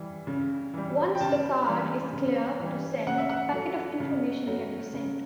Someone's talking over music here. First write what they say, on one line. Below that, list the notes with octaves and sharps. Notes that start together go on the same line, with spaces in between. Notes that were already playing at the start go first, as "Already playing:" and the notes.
Once the card is clear to send, a packet of information can be sent.
Already playing: E3 G3
C#3
E3 G3
G5
C#3 A5
E3 G3
C#3
E3 G3
C#3 F#5
E5
F#5
F#3 A3
C#3
F#3 A3
C#3